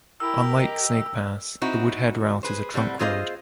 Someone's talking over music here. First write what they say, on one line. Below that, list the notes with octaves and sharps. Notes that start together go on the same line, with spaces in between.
Unlike Snake Pass, the Woodhead route is a trunk road.
E4 G4 A#4 E6
D#5
C4 D#4 E4 F#4
G#4 B4 C5
A2 G3 C4 F#5
C4 F4 G#4 C5 D#5 F5